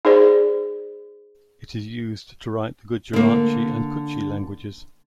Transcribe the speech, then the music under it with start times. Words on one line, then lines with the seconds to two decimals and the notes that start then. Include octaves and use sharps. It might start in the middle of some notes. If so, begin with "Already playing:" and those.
It is used to write the Gujarati and Kutchi languages.
0.05 D#4 G#4 C5 D5
3.13 D3 A#3